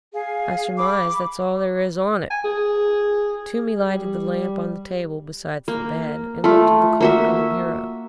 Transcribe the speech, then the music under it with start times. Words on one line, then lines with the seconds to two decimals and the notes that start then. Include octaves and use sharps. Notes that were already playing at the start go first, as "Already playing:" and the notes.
"I surmise that's all there is on it." Toomey lighted the lamp on the table beside the bed and looked at the clock on the bureau.
0.12 G#4 F5
0.77 B5 D6
2.30 G#5
2.44 G#4
3.89 G3
5.68 A#3
6.44 A3 F4
7.00 A#3 F#4 E5